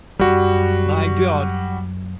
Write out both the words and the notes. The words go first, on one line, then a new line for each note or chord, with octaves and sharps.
My God!
F#2 G3 F#4